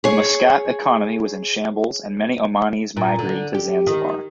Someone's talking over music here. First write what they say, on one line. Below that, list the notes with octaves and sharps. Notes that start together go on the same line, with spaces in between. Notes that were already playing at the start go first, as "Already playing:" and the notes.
The Muscat economy was in shambles and many Omani's migrated to Zanzibar.
G#4 C#5
A#2
D3
G4
D#3